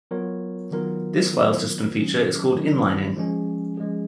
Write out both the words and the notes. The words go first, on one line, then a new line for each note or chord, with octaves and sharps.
This file system feature is called inlining.
F#3 B3 F4 A#4 C#5
D#3 F#3 B3 F4 A#4
D#3 F#3 B3 F4 A#4
D#3 F#3 C#4
D#3 F#3 C#4
F3 G#3 C#4 G#4
F3 G#3 C#4 G#4